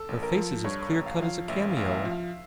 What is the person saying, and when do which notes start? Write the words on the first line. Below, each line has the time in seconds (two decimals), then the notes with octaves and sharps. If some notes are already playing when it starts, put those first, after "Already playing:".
Her face is as clear-cut as a cameo.
Already playing: A4
0.09 A1
0.23 A#4
0.37 F3
0.64 G2 C#5
0.92 A1
1.06 F5
1.20 F3 F5
1.48 A1 E5
1.69 F5
1.77 A1
1.86 F5
1.91 E5
2.05 F3
2.12 F5